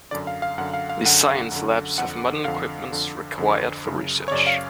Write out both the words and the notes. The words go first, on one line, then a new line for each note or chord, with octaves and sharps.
The Science Labs have modern equipments required for research.
F#2 D3 D5
F5
F5
F#2 D3 F#5
F5
F5
F#2 D3 F#5
F#2 D3
F2 D3 F#5
F2 D3 F5
F2 D3
F2 D3
F#2 C#3
C#5
F#2 C#3 D5
F5